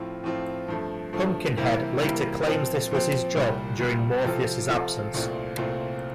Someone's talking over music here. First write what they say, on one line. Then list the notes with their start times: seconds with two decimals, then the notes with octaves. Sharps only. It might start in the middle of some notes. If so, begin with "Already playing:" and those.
Pumpkinhead later claims this was his job during Morpheus' absence.
Already playing: A2 F3 C4 F4
0.24 A2 F3 C4 F4
0.68 G2 F3 A3
1.13 G2 F3 A3
1.57 C3 E3 G3 A#3 E4
2.02 C3 E3 G3 A#3 E4
2.47 A#2 F3 C4
2.91 A#2 F3 C4
3.36 C2 A#2 G3
3.80 C2 A#2 G3
4.25 C3 F3 C4 F4 A4
4.69 C3 F3 C4 F4 A4
5.14 C2 A#2 A3 C4 F4
5.58 C2 A#2 A3 C4 F4